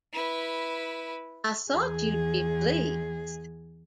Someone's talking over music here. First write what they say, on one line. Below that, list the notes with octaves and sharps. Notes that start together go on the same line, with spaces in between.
I thought you'd be pleased.
E4 B4
E2 G#4